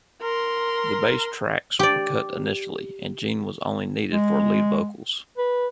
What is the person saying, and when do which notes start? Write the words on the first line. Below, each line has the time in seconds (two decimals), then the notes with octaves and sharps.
The bass tracks were cut initially, and Gene was only needed for lead vocals.
0.22 A#4 C6
1.79 G4 D5
4.13 G#3
5.38 B4